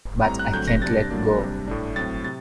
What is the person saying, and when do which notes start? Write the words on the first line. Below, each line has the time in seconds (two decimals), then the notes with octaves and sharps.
But I can't let go.
0.25 A2 G3 C4 A#5
0.39 F#6
0.53 D3 F#3 A3 C4 G6
0.68 A#6
0.82 C3 G3 D4 A6
1.11 A2 F#3 A#3 D4
1.39 C3 G3 D4
1.68 A2 A3 D4
1.96 A2 F#3 C4 A6
2.24 C3 A6